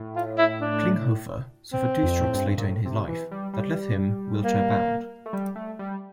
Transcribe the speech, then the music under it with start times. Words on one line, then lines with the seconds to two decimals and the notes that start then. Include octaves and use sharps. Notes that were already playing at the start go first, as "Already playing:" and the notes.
Klinghoffer suffered two strokes later in his life that left him wheelchair-bound.
Already playing: A2
0.16 F4
0.39 E4
0.61 D4
1.73 C4
2.03 F2
2.23 A2
2.34 G2
2.58 A#2
2.64 A2
2.85 C3
3.08 E3
3.31 G3
3.53 G3
4.44 A#3
5.26 A3
5.33 G3
5.56 A3
5.79 G3